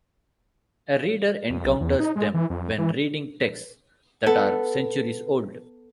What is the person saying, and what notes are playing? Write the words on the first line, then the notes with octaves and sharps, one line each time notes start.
A reader encounters them when reading texts that are centuries old.
F2
B1
E2
D#4
G#3
E3
F2
E3
B3 A4